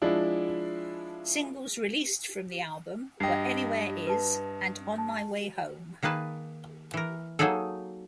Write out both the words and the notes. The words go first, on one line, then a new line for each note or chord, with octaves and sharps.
Singles released from the album were "Anywhere Is" and "On My Way Home".
F3 G#3 D4 E4
G2 D#5 G5 C7
B4 A5
A5
D#3 A#3 G#4 B4 A5
E3 A#4
F#3 A#3 D#4 G#4 A4